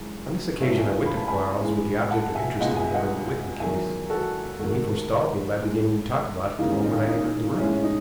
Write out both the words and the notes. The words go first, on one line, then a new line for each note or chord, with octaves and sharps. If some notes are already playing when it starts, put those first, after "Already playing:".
On this occasion I went to Quarles with the object of interesting him in the Withan case, and he forestalled me by beginning to talk about it the moment I entered the room.
Already playing: F#2 E3 G#3
C#2 C#3 E3 A3 C#5 E5
E5 G#5
B5
A5
G#5 B5
A2 E3 G#3
F#5 A5
E5 G#5
C#2 B2 G#3 D#5 F#5
E5 G#5
D#5 F#5
E2 D#3 F#3 E5 G#5
F#4 A4
G#2 D#3 A3 F#4 A4
A2 G#3
D#2 C#3 E3 G#3 D#4
C#4
D#4
C#4
D#4
A2 G#3 C#4 E4
D#4